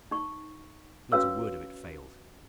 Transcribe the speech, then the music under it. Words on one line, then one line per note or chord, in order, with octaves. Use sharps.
Not a word of it failed.
D#4 C#6
C#4 F#4 B4 C#5 F5 E6